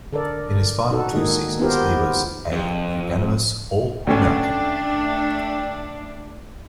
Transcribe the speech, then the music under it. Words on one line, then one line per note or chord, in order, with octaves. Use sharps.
In his final two seasons he was a unanimous All-American.
D3 A4 A#4 D5
D#4 F#4 A4
D#3 G#3 A#3 D#4 G#4
B3 D#4 F4 G4 A#4 C5
F2
D2 D3 A3 C#4 D4 G5